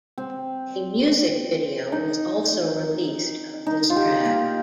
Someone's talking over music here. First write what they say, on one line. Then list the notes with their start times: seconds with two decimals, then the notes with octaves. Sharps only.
A music video was also released of this track.
0.18 C4
1.92 D#4
3.67 D#4
3.90 F4
3.96 G4
4.25 A#3